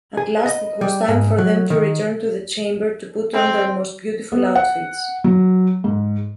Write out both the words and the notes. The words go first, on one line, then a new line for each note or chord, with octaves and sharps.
At last it was time for them to return to the chamber to put on their most beautiful outfits.
G#4
D#5
G3
G#2
F#3
D#3
C4
B3
F#5
F#3
G#2